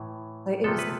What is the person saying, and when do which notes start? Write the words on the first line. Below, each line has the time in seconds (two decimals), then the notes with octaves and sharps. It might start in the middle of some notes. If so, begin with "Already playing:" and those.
Like, it was
Already playing: A2 E3
0.64 C3 F3 B3 A4
0.79 B4